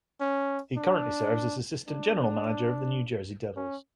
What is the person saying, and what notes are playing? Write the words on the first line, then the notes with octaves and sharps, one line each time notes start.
He currently serves as assistant general manager of the New Jersey Devils.
C#4
D4
D4
C#4